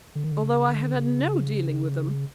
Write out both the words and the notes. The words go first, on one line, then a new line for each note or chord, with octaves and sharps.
Although I have had no dealing with them.
D3
D#3
D3
C#3
D3
C#3